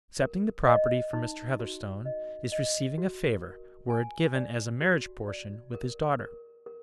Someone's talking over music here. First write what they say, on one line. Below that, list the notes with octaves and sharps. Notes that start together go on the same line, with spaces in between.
Accepting the property from Mr. Heatherstone is receiving a favor were it given as a marriage portion with his daughter.
A#4
D#5
D#4
F#4
D#5
D#5
F#4
A#4
G#5
D5
F#4
D5
A#4
A#4
A#4